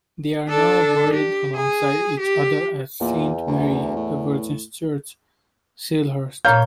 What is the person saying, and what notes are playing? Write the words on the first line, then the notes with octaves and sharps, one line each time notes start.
They are now buried alongside each other at Saint Mary the Virgin's Church, Salehurst.
D4 A4
G4
G#4
G4
E2 A#2
D2
A2
A#2 C#5 F5 A#5 F6 G6